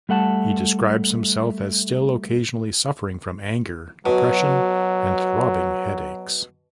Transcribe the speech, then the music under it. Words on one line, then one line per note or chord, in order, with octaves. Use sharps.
He describes himself as still occasionally suffering from anger, depression, and throbbing headaches.
G3 A3 F#5 A5
B2 F#3